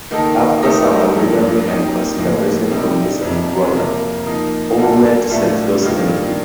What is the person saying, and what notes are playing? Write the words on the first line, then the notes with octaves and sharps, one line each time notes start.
After some maneuvering and consideration from his employer, Ouimet secures entry.
D#3 A#3 D#4 A4
A3 D#4 G4 A#4 D#5
G2 F3 A#3
A#3 D#4 G4
A2 F3 A#3
C3 G3 C4 D#4
F2 C3 F3
C3 F3 A#3 F4 A#4
F3 A#3 D#4
G3 A#3 D4 A4
A2 A3 D4 F4
G2 D#3 G3 A#3 F4